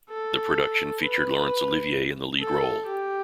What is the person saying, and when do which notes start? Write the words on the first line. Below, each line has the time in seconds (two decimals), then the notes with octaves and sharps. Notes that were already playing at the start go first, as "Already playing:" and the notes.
The production featured Laurence Olivier in the lead role.
0.10 A4
1.02 B4
2.40 A4
2.86 G4